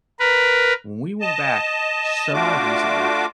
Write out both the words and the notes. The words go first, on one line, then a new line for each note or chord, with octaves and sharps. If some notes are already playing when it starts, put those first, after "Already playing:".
When we went back semi-recently,
A#4 B4
D#5 A5
A3 D4 F4 F#4 D6